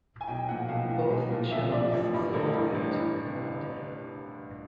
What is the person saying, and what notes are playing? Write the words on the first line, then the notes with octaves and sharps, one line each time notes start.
Both shows sold out in one day.
G#5
B1 G5
A#2 F3 F#5
B1 F5
A#2 F3
B1
A#2 F3
B1 E5
A#2 F3 D5
A1
G2 E3
A1 A#4
G2 E3
A1
E3